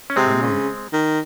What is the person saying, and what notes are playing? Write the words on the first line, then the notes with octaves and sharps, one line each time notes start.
The Monk.
C#4
C3 G#3 C4
C#3
D#3